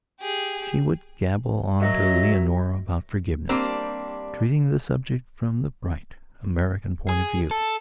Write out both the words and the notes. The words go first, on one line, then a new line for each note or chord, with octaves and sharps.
She would gabble on to Leonora about forgiveness--treating the subject from the bright, American point of view.
G4 G#4
F#3 F#4 A#4 C#5 D#5 E5 F#5
G3 A#3 C4 D4
G#4
A4